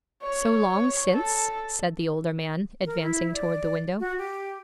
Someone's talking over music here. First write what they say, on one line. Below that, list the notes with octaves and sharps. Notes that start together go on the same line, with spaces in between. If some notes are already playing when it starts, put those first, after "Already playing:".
'So long since?' said the older man, advancing toward the window.
C#5
A4
A#4
E4
D5
F#4
G4